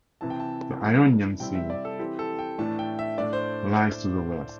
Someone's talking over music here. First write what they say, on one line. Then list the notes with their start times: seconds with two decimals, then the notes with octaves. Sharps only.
The Ionian Sea lies to the west.
0.21 C3 E3 C4 E4 A5
0.30 G5
0.40 A5
0.81 E3 G3 E4
1.40 C3 G3 C4 E4 G5
1.55 E5
1.70 D5
1.85 A4
1.99 E3 C4 E4 G4
2.19 A4
2.39 G5
2.58 A2 E3 A3 D4 A5
2.79 G5
2.99 E5
3.18 A2 A3 D4 D5
3.33 C5